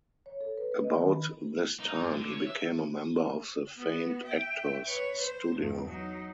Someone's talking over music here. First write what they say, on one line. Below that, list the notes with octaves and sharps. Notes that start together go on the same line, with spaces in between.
About this time, he became a member of the famed Actors Studio.
C#5
A4
B4
B4
D#5
D#3
B5
D#4
G2
D3
C#5
E5
B3 F#4
E5 G5
B4 C#5
C5
E2 G2
F#3 D#4